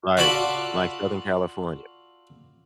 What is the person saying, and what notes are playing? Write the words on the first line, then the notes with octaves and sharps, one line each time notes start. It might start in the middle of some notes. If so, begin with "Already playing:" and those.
Right, like Southern California.
F4 F#4 A4 D5 A5 B5